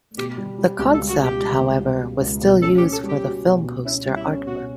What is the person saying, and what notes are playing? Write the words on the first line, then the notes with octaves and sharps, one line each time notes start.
The concept, however, was still used for the film poster artwork.
B2 G4
G3
G3
C#2 G4
A4
G3
F#4
B2 G4
G3
C#2
G3
B2
C#2
B2
C#4 A4
G4
C#4
A4
G3
G4
F#4
B2
B2
C#4 E4
G3
E4
C#4
B2 F#4